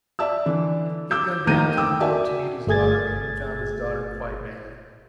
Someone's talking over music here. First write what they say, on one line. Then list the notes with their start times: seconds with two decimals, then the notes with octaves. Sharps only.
He had gone down to the boat to meet his daughter, and had found his daughter quite mad.
0.19 D5 E5 A5 E6
0.46 D3 E3 D4
1.11 D6 E6 G6
1.47 D#2 A2 D#3 A#5 G6 D#7
1.77 G5 D6 E6
2.00 F#4 D5 E5 G#5 A5
2.67 G1 A3 G#4 G#6 A6